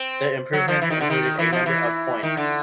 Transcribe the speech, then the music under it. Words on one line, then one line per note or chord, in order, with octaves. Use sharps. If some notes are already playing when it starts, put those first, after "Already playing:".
The improvements included a number of points.
Already playing: C4
F#3
F3
E3
D#3
D3
D#3
E3
F3
E3
D#3
D3